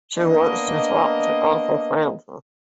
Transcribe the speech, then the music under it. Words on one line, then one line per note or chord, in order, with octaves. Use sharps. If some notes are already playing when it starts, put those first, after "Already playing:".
She wants to talk to Uncle Francis.
A#3 B3 D4 D#5